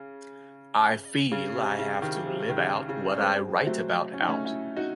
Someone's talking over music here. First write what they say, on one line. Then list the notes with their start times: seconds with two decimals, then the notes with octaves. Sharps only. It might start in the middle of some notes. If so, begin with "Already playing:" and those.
I feel I have to live out what I write about out.
Already playing: C#3
1.32 C#3
1.55 C3
1.79 C#3
2.02 C3 D#3
2.26 C3
2.49 D#3
2.58 C#3
2.89 C#3
3.10 C#4
3.20 G#3 C4
3.60 C4
3.67 F#3 A3
4.14 C#4
4.21 D#4
4.28 A3 C#4
4.45 C#4 E4
4.76 D#4 F#4